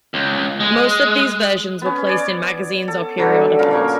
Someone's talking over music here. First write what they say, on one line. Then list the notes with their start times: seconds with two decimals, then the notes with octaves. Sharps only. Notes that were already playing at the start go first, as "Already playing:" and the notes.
Most of these versions were placed in magazines or periodicals.
0.14 C#2
0.60 G#3
1.82 B3 C#4
2.07 C#5 D5
2.88 A4
3.18 D3 F#3 G3
3.59 C#3 F3 A#4 F5
3.71 A#2 A#3 C#6